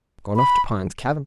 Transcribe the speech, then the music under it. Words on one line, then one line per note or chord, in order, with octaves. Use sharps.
Gone off to Pine's cabin!
B5